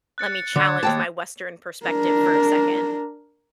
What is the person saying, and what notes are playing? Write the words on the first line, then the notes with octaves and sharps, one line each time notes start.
let me challenge my Western perspective for a second
F#6 A6 C#7
C#7
D3 D6 G#6
D#2 G5 A5
D4 A#4